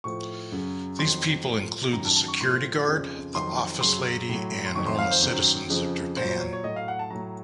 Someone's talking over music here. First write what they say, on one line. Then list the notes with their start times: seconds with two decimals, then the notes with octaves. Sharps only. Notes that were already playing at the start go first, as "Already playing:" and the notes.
These people include the security guard, the office lady, and normal citizens of Japan.
0.04 A2 F3 C#6
0.52 F#2 C#3 F#3
0.99 F2 D#3 F#3 C6
1.46 A2 F3
1.93 F#2 D#3 F#3 A#5
2.05 A5
2.16 A5
2.28 C#6
2.41 A2 F3 C6
2.87 F2 C#3 F3
3.35 F2 D#3 F#3 C6
3.81 F#2 C#3 F#3 C6
4.29 A2 F#3
4.66 C6
4.75 F2 D#3 F#3 C#6
4.87 C6
4.99 F5
5.11 C5
5.22 F#2 D#3 F#3 C5
5.69 F2 C#3 F3
6.16 A#2 C5
6.22 F#3
6.29 C5
6.40 C#5
6.53 C#5
6.64 A2 F#3 D#5
6.76 F5
6.88 F#5
6.99 A5
7.10 A2 F#3 A#5